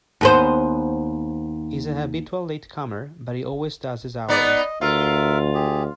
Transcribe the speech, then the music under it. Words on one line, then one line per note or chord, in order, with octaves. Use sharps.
He's a habitual latecomer, but he always does his hours.
D#2 B3 C5
B3 D#4 D5 D#5
D2 F4 A#4 E5
G4 G#4